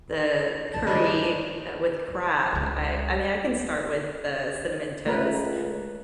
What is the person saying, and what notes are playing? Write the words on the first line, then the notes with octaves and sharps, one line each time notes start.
the curry, uh, with crab, I I mean I can start with the cinnamon toast,
A5
G2 D#3 G#3 D4
D#3
C#2 G#3
C#2 A3 A#4 B4